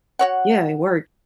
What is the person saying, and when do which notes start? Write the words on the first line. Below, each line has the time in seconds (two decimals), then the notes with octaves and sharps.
yeah, it worked,
0.19 F#4 C#5 F#5